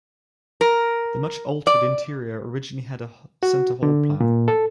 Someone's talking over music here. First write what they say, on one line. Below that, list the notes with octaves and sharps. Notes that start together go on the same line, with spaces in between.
The much-altered interior originally had a centre hall plan.
A#4
D5
F#4
D3
A#2
A4